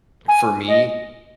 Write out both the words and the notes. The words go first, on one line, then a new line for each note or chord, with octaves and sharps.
For me
G#5
D#5